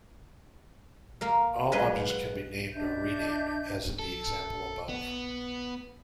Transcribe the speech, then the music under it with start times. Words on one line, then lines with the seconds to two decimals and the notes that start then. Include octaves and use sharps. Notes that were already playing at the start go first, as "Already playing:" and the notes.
All objects can be named or renamed, as in the example above.
1.21 A#3 A#4 F5
1.72 F#3 G#3 B4 D#5 F5
2.10 F#5
2.75 D4 D#5 E5 G6
3.99 A4
4.89 B3